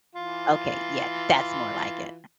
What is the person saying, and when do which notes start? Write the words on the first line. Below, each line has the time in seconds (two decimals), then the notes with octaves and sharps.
Okay, yeah, that's more like it.
0.15 E3 F4